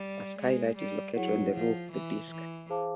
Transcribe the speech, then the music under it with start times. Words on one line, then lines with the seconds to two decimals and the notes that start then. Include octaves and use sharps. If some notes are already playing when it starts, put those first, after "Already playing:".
A skylight is located on the roof of the disk.
Already playing: G3
0.39 G#3
0.78 G3
1.15 F#3 E4 G#4 C#5 F#5
1.54 F3
1.92 E3
2.31 E3
2.70 G#4 C5 F5 A5 D6